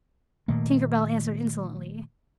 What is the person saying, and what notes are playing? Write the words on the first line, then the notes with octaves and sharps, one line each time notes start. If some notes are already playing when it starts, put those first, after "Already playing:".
Tinker Bell answered insolently.
A#2 D#3 A3 A#3